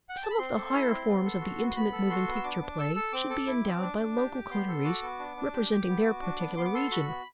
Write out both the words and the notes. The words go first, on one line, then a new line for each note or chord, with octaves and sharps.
Some of the higher forms of the Intimate Moving Picture play should be endowed by local coteries representing their particular region.
F#5
G5
A5
B5
C4 C6
A4
E4
C4
B3
A4
F#4
B3
C6
B3 B5
A4
F#4 C6
B3
E6
D4 D6
D4
A4 E6
A4
C4 D6
A4
E4
C4
D4
D4
G4
G4
B3 C6
A4
F#4 D6
B3
D4
D4
G4
G4
B3
F#4
D4
B3
B3 C6
D6
A4 C6
F#4 B5
B3